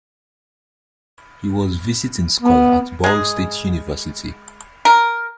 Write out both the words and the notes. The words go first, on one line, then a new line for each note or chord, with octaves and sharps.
He was visiting scholar at Ball State University.
B3
G#3 G#4
A#4